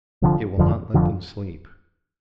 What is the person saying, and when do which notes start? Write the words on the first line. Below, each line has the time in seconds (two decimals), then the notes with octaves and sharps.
It will not let them sleep.
0.22 F1 F2 D3 F3
0.58 F1 F2 D3 F3
0.94 F1 F2 D3 F3